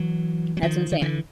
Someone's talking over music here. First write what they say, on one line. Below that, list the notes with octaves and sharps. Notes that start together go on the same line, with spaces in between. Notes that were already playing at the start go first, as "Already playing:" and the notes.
That's insane,
Already playing: E3 F#3
F#3
D#3 F3
D#3
D3 E3